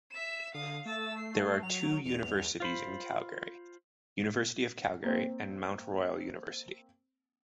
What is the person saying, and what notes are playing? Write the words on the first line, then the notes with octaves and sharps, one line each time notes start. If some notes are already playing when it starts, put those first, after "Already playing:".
There are two universities in Calgary: University of Calgary and Mount Royal University.
E5 E7
D3 F5 D#6
A3 E6 A6
C7
F#3 F7
E2 F7
F4 C5 B5
A#3 C4